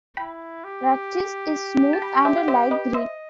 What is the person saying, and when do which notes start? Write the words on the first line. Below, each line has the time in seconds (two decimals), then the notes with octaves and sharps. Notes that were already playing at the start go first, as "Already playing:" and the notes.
Rachis is smooth and light green.
0.17 E4 G5 B5
0.64 G4
1.93 A5
2.02 G5 B5
2.25 C5 E5
2.38 F#5
2.48 C5 E5
2.71 B4 D#5
2.94 C5 D#5 E5